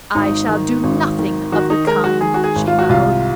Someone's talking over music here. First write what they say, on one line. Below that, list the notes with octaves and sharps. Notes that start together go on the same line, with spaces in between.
"I shall do nothing of the kind," she vowed.
G#1 D#4
D#3
G#1
D#3
D#3 F#4
D#4
G#3 A#4
F#4
D#3 G#4
F#4
G#4
G#1
F4
F#4
C2 F4